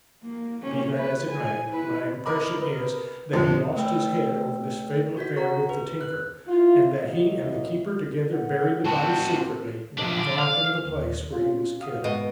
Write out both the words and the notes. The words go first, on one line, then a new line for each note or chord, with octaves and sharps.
Be that as it may, my impression is that he lost his head over this fatal affair with the tinker, and that he and the keeper together buried the body secretly, not far from the place where he was killed.
A#3
A#3 C#4
B4
G#5
E4 B4
A#4 D#5 B5 D6
B4
F2 D3 A4 C5
A3 B4 C#5 G5 E6
F#4 G6 B6
F#5 A#5 C#6
B4
F#6
E4 F4
D#2 E3 F#3 E4 D#5
F#5
C4 F#4 A5
F3 D4
D3 D5
F5
D#2
C#4 F4
F#4 F5 D#6
G#2 B2 D#5